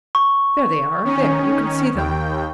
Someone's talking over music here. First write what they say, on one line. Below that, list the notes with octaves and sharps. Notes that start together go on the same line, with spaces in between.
"There they are, there... you can see them."
C#6
D#3 C#4
D#2 G5